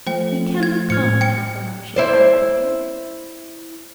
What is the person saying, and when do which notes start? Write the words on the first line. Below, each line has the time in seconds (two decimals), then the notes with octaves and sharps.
"He cannot come in half an hour," she cried quickly.
0.07 F3 A3 C5 G5
0.63 G#6
0.90 A2 G#3 C5 F6 G#6 C#7
1.21 G5 C#7
1.96 E4 C5 D5